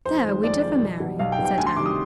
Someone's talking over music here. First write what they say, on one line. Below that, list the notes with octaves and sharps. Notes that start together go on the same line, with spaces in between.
"There we differ, Mary," said Anne.
F2 C5
D#3 G#3
F2 D5
D#3 G#3
B1
B2 G3
B1 F5
G5
B2 G3
G5
D2 G#5
C6
C3 D#3 G3 D6
D#6